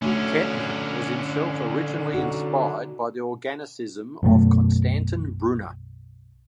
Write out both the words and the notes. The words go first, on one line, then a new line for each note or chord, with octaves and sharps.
Kettner was himself originally inspired by the organicism of Constantin Brunner.
D3 A3 C#4 D4 F#4
D#4 F#4
B1 F#2 B2 A3